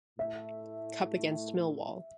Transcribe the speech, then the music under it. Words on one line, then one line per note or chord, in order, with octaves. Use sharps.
Cup against Millwall.
A2 A3 E4 E5